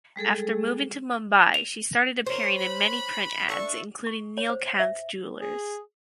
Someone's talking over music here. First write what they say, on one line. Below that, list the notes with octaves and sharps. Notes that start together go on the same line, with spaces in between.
After moving to Mumbai she started appearing in many print ads including Neelkanth Jewellers.
G3 G#3 G#4 A4
F7
A#4 C5 C#5 C6
B5 F#6
D4 A4 E5 C#6
C#6
C#5
C5
E5
G#4